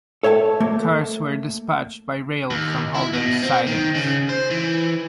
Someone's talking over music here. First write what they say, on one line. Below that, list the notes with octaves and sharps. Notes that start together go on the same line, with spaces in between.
Cars were dispatched by rail from Holdens' sidings.
A4 C#5 E5 F#5 A5
A3 A#3
D#2
E4
B2
C4
D#3
C#3
C5
E3